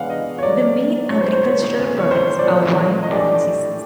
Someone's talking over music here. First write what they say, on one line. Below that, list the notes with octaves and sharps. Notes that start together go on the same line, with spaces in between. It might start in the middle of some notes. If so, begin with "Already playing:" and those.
The main agricultural products are wine and cheeses.
Already playing: E3 G#3 B3 D4 F5 F#5
D#5
C#5
F#3 A3 C#4 D5
A2 F#3 A3 C#5
C5
C5
C#5
C#3 E3 A3 C4
C#5
C5
C5
D5
A#2 F3 A3 C4 C#5
D#5
A2 E3 A3 D4 G4 D5